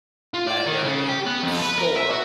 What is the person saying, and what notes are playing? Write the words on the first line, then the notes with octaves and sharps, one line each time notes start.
that where they store
F4
D5
D#3
C#3
G4
B3
F2
B4
A#4
E5
F#4